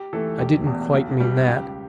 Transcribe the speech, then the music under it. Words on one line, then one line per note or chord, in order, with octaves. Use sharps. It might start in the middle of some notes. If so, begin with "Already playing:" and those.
"I didn't quite mean that."
Already playing: G4
E3 A3 A4
E1 G4
E2 B2
B1
B2 G3
C#2 G4